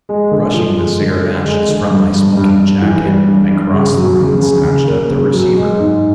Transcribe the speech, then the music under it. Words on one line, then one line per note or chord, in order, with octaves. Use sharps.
Brushing the cigarette ashes from my smoking-jacket, I crossed the room and snatched up the receiver.
G#3
D3
F3
G#3
D3
D3
G#3
D3
G2
G2
G2
G2
E3
G3
G2
G2
C#3
F#3
C#3
C#3
C#3
A#3
C#3
F#3
G#3
G#2